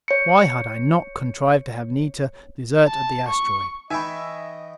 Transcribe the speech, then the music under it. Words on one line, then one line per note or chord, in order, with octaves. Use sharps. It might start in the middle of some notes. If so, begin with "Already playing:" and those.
Why had I not contrived to have Anita desert at the asteroid?
C#5 C#7
A5
C#6
E3 D#4 D#5 E5 G5 G#5 B5 C#6